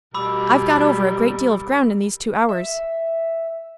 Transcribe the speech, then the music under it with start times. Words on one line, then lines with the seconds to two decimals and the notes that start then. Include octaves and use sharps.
I've got over a great deal of ground in these two hours.
0.15 B2 G3 A#4 B5 D6 E6
2.49 E5